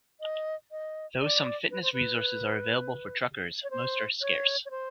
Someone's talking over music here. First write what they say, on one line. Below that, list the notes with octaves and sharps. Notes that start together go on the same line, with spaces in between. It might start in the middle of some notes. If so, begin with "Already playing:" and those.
Though some fitness resources are available for truckers, most are scarce.
D#5
D#5
D5
B4
C5
B4
C#5
C5
C#5
C#5
C5